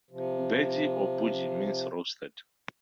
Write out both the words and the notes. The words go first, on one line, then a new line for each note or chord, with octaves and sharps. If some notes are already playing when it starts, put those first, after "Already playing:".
Beji or burji means roasted.
C3 F3